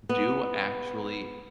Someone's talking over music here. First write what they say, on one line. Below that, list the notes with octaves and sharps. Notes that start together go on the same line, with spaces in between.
do actually
B3